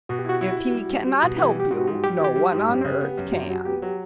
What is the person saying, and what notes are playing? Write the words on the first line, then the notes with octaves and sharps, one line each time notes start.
If he cannot help you no one on earth can.'
B2 F#4
G4
E4 F#4
E4
E4
G3
G3
G3
B2
E3 G4
G3 G4
G#2 F#4
G#2
G3 G4
E3 G4
G3
G#2
F#2 G4
C#3
B3
F#2
F#2 F#4
F#3
B3 G4
F#3